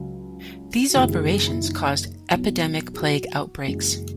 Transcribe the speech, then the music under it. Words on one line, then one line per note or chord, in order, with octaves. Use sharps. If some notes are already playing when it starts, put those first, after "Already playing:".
These operations caused epidemic plague outbreaks.
Already playing: C#2 C#3 F#3
F#4
F#1 F#2 D#3 G#3 E4
G#4
G#4
E4
D#4
E2 B2 F#3
G#4
F#4
F#1 F#2 C#3 E3 G#3